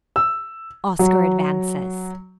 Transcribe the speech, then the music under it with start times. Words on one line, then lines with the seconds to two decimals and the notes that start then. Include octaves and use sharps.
Oscar advances.
0.16 E6
0.99 F#3